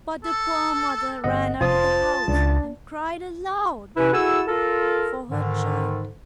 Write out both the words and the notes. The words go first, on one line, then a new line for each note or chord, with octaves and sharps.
But the poor mother ran out of the house and cried aloud for her child.
A4
G1 D#5 F#5
F1 F4 C5 A5 D#6
C#2 D4
C3 C#4 E4 B4
E4 F#4 G#4 A4 G#5 E6
F4 A4 A#4
G#2 D3 D#3